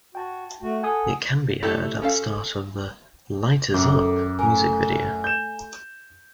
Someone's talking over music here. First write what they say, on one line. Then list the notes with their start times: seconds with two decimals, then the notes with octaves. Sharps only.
It can be heard at the start of the "Lighters Up" music video.
0.15 F#4 G5 A5
0.62 A3 F#4
0.83 A4 F#5 G#5 D#6
1.63 A3 E4 G4 A4
2.02 C#4 A4 F5
3.74 F#2 D#3 A4 D6
4.39 A3 A#4 G#5
5.24 G6 E7